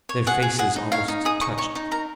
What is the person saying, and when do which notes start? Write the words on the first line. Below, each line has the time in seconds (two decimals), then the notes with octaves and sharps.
Their faces almost touched.
0.09 C#5
0.27 G#4 F#5
0.42 G#4
0.59 G#4 F#5
0.76 D#4
0.92 C#5 F5
1.08 D#4
1.25 G#4 D#6
1.41 D#4 C#6
1.58 C#5 C#6
1.75 D#4
1.91 A#4 A#5